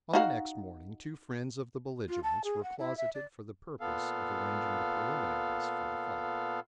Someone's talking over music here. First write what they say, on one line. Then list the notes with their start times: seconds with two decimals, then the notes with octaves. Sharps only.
On the next morning, two friends of the bellige-rents were closeted for the purpose of arranging the preliminaries for the fight.
0.13 D#4 F#4 F5
2.09 F4
2.23 A5
2.44 G#4
2.63 F#5
2.79 E4
2.97 E5
3.14 D5
3.80 A#2 B3 A4 F5